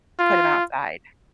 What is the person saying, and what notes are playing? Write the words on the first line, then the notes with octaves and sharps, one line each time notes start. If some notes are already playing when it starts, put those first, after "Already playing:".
put 'em outside.
F4